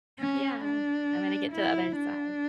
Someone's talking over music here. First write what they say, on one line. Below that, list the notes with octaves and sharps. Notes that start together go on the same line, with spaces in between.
Yeah. I'm gonna get to the other side.
C#4
D4
E4
D4